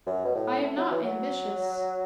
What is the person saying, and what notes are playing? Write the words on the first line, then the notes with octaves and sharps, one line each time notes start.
"I am not ambitious."
F#2
B2
A2
A3
F#3
E3
F#3